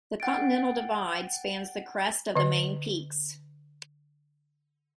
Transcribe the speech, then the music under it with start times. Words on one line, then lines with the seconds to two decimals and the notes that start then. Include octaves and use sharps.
The Continental Divide spans the crest of the main peaks.
0.20 F#5 G5 A6 D7
2.35 D3 D#5